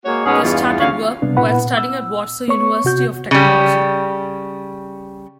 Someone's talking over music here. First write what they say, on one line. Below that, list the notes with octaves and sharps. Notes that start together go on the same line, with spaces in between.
They started work while studying at Warsaw University of Technology.
G#3 A#3 F#4 C#5
B2 G#3 B3 C#4 D#4 G#4
E2 G2 F4
D2 C#3 D4 C#5 F5
C3 G3 B3 D4
A#2 B3 E4 B4 F#5 B5
E6
B3 C#5 C#6
C3 F#4 G6
C#3 G3